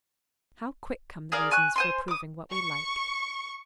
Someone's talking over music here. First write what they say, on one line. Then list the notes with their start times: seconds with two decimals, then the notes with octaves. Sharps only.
How quick come the reasons for approving what we like!
1.32 G#4 A#4 D5 F5
1.51 G#5 C#6 F#6
1.76 C5 G#5 C6
2.08 D6 D#6
2.52 C#6